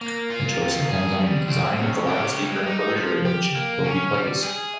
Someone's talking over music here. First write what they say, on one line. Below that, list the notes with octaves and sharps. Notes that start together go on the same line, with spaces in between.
The choice depends on the design of the loudspeaker enclosure in which it will be placed.
A#3
F4
D#3
G#4
G3
C4
C#3
G4
G#3
D#4
F3
G4
A#3
C#4
G3
G#4